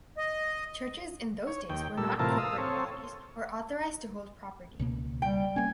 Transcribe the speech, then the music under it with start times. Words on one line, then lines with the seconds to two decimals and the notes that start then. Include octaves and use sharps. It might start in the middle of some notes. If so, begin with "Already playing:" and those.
Churches in those days were not corporate bodies or authorized to hold property.
0.18 D#5
1.47 C#5
1.70 D#2 G5
1.98 A#2 G3 A4 E6
2.19 A2 C3 E3 F4 A#4 A5
2.38 F5 D#6 E6
2.58 C4 A4 C#5
4.79 C#2 B2 A#3
5.22 G3 G5
5.56 A#3 C#4 G#5